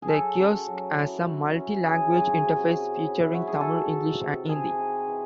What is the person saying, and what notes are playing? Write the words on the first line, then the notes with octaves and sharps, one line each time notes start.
The kiosk has a multilanguage interface, featuring Tamil, English and Hindi.
G#4
F#3 A4
C#4
F#3
E4
F#3
C#4
E4 G#4
F#3
C3
C#4
E4
E4
F#3 F#4
G#4
D#4 A4
E3
C3
C4 G#4
D#4
E3